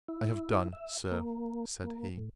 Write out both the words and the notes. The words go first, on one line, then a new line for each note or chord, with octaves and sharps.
I have done, Sir, said he.
E4
E5
A#3
A#3
A2